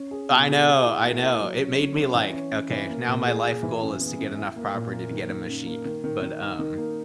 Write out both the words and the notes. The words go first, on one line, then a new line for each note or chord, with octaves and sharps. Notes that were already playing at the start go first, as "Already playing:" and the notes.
I know, I know. It made me, like, "Okay. Now my life goal is to get enough property to get him a sheep." But, um
Already playing: C#4
G#4
B2
G#4
G#4
E4
A#3
E4
F#3
C#4
C#4
C#4
E3
C#4
C#4
E3
A#3
A#2
G#4
G#4
E3
F#2
B3
F#2
E4
A#3
A#2
A#3
D#3
D#3
F#2
A#3
D#3
D#3
D#3
D#4
D#3
A#3